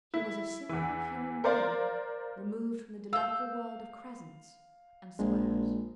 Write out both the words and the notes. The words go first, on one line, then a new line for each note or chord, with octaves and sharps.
He was a simple human being removed from the delightful world of crescents and squares.
E4
E2 E3
A#4 C5 D5 F5
F5 E6 G6
A#1 G#3